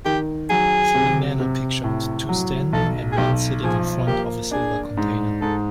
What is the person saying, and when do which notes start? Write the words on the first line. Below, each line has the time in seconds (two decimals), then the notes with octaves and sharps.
Three men are pictured, two standing and one sitting in front of silver container.
0.05 D#3 G4
0.50 F#3 G#4
0.95 C3
1.40 C3
1.84 A2
2.29 F#3
2.73 B1 A4
3.12 G#4
3.17 B1 G4
3.63 F3 G#4
4.07 A#3 G4
4.51 D4 G#4
4.97 G#2
5.41 G#2 A4